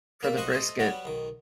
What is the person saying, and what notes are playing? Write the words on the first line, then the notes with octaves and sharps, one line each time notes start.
for the brisket
A#3 D5 E5
B1 F#4 C5 D#5 F#5 C#6
A3 A4 C5 D#5
F#3 G3 B3 F#4
B1 D#3